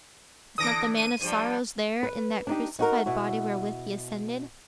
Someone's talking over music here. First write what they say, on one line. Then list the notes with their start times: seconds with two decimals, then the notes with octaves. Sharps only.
Is not the Man of Sorrows there in that crucified body wherewith he ascended?
0.58 D3 E3 D#6 A#6 D7
0.97 D#7
1.21 G2 F3 G3
2.03 B4
2.47 D4 D#4 G4
2.79 D#4 F#4 A#4
3.06 B2 E4 F#4